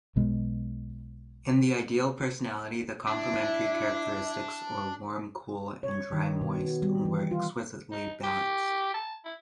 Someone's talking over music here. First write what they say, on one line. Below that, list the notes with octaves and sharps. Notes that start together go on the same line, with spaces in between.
In the ideal personality, the complementary characteristics or warm-cool and dry-moist were exquisitely balanced.
B1 B2 G#3
D4 E4
C#5
D#3
B2
B3
G3
E3
F4
D#4
G4
A5
E4